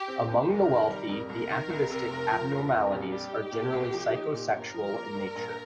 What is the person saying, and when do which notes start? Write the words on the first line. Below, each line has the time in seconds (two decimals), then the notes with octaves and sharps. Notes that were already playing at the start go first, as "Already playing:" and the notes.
Among the wealthy the atavistic abnormalities are generally psychosexual in nature.
Already playing: G4
0.08 C4
0.28 D#2
0.48 F1 A#4
0.69 D#3
0.90 G3
1.09 F2
1.30 C2 A#4
1.50 D#3
1.70 C2
1.90 C3
2.10 F1
2.31 F3
2.51 F1
2.72 F2
2.92 A#1 G4
3.12 G3
3.33 D#4
3.52 A#2
3.73 C2
3.93 F3
4.13 D#4
4.33 A#2
4.54 G1 A#4
4.74 F3
4.94 A#3
5.15 G2
5.35 A#1